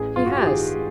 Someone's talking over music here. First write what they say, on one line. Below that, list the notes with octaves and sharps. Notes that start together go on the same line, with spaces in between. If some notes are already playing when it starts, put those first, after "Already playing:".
"He has."
Already playing: A1 G#4
G2 F4
F#4
G4
D#3 G#4
G#3